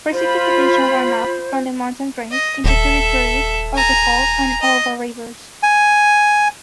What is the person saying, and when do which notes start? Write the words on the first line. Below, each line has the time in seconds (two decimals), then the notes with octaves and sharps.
Precipitation runoff from the mountain drains into tributaries of the Hoh and Elwha Rivers.
0.13 F4 C5 B5
2.31 D#5
2.64 D#1 A4 E5
3.75 G#5 A#5
4.61 D#5
5.63 G#5